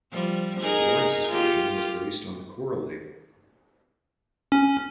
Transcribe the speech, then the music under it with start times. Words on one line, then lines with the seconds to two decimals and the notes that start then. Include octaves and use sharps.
Lawrence's version was released on the Coral label.
0.12 F3 G3
0.60 D#4 G#4 A#4
1.28 F4 G4
4.52 C#4